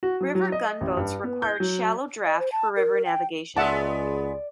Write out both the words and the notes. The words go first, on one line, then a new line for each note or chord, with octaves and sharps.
River gunboats required shallow draft for river navigation.
F#4
F#3
F#3
D#5
A1
G2
B3
G6
F#3
D#5
C5
A5
A#4
G5
C#2 G#3 B3 D5 E5 F#5 A5